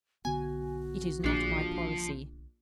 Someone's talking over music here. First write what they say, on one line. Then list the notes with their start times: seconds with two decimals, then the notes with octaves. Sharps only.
It is not my policy.
0.25 B1 D3 B3 F#4 G#5
1.24 A#1 F3 D4